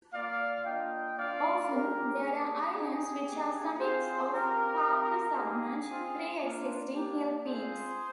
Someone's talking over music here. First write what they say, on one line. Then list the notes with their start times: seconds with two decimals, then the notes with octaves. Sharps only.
Often, there are islands, which are summits of partly submerged, pre-existing hill peaks.
0.13 A#3 F4 D5 F5
0.65 A#3 D4 F4 D#5 G5
1.18 A#3 D4 F4 D5 F5
1.70 G#3 D4 F4 G4 A#4
2.23 A#3 D4 G4 G#4
2.74 C4 D#4 G4 G#4
3.27 A#3 D4 G4
3.79 C4 F4 G#4 C5
4.32 C4 F4 G4 A#4
4.85 C4 F4
5.36 A#3 D#4 G4 G#4
5.88 C4 F4
6.41 A#3 D4 F4
6.94 A#3 D4 G4
7.46 G#3 C4 F4 G#4 C5